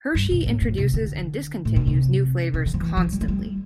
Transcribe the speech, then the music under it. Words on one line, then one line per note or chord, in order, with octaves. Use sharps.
Hershey introduces and discontinues new flavors constantly.
G2
B2
A2
A2
C3
D3
A2
B2
C3
C3
D3
F3
E3
F3
G3
A3
G3